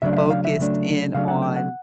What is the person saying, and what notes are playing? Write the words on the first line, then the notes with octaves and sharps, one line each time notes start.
focused in on
C#3 F#3 A3 D4 E5
F5
E5
F5
E5
C#3 F#3 A3 D4
C#3 F#3 A3 D4 F5
F#5
G5
F#5